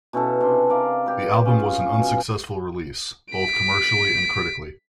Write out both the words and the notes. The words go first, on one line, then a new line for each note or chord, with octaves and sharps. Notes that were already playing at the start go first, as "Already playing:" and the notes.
The album was an unsuccessful release, both commercially and critically.
B2 C#4 E4 A4
C3 D4 C6
A#4 D5 D#5 F5
G4 B4
C#4 F4 G#4
B2
B6 D7